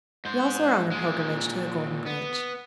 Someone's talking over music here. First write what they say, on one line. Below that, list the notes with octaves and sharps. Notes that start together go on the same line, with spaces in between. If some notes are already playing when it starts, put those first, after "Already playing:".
'We also are on a pilgrimage to the Golden Branch.'
G#2 C5
A#2 G#3
B3